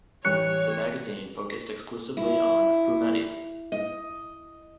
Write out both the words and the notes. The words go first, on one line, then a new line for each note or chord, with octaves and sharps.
The magazine focused exclusively on "fumetti".
A1 G3 C#5 C#6 F#6 C#7
E4
D#5